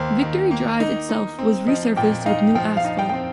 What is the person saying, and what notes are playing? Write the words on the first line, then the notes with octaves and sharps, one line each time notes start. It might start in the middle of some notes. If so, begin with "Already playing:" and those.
Victory Drive itself was resurfaced with new asphalt.
Already playing: D#2 A#3 C5
D#3
A#3
D#4
D#4
C4
F3 D#5
A#2 G5
D#4 F5
F3 G5
F5
D#4
G5
C4 G5